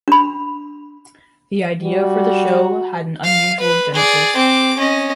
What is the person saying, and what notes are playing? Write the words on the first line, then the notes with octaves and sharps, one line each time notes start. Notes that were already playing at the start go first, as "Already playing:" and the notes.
The idea for the show had an unusual genesis.
D4 B5
G3 F#4
F5
B4
G#4 D5
C4 D6
C#4 D#5